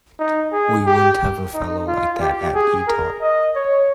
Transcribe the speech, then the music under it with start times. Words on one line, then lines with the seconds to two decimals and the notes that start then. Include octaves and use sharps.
We wouldn't have a fellow like that at Eton.
0.19 D#4
0.53 G#4
0.86 G4
1.54 D#4
1.87 F4
2.21 G4
2.55 G#4
2.88 A#4
3.21 D#5
3.55 C#5